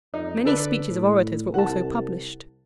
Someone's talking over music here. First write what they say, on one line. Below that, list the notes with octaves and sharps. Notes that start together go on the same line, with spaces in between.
Many speeches of orators were also published.
F2 D#4
D3 A4 B4 D5
A2
C2 F#5 A5